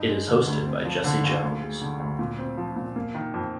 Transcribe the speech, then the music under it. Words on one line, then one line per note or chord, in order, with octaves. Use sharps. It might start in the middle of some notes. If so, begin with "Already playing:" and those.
It is hosted by Jesse Jones.
Already playing: G2 D#4
G#3
D3
D2
C4
F3
D3
D#2
D2
G#3
D3
D2
A#2
C4
F3
A#2
A#3
D#3
F2